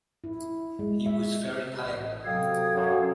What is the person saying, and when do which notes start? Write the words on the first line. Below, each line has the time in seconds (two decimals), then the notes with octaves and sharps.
He was very pale.
0.24 E4
0.79 G#3
1.06 E5
1.82 A1
2.25 C3 F#3 A4 F5 G5 D#6 G#6
2.74 F#2